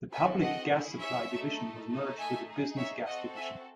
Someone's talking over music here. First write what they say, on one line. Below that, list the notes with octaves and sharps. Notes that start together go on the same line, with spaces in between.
The Public Gas Supply division was merged with the Business Gas division.
C4 F#4 A4 E5 G#5
D#5 F#5
C#4 E4 G#4
C#5 E5
A3 D#4 A4
A3 D#4 A4
E5 G#5
D#4 G#4
C#5 E5
C4 F#4 A4 D#5 F#5
E5 G#5